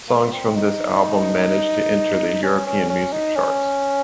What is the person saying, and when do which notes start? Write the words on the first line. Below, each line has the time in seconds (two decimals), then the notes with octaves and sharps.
Songs from this album managed to enter the European music charts.
0.09 A#3
0.32 C4
0.56 D#4
2.43 C#4
2.67 C#4
2.90 C#4
3.13 D#4
3.36 C#4